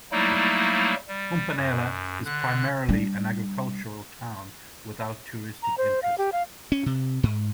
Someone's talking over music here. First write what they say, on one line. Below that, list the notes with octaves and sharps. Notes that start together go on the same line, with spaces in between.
Mponela is primarily an agricultural town without touristic interest.
F#3 G3 A3 A#3 D#4 E4
G3
F#2
D3 F#6
G3 D4
A#5
C5
F5
G4
F5
C#4
C3
G#2